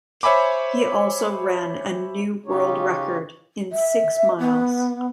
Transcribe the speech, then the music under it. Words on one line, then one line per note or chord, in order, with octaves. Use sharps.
He also ran a new world record in six miles.
C5 C#5 E5 G#5 B5 D6
C#3 C#4 D#4 F4 G4 C#5
E5
B3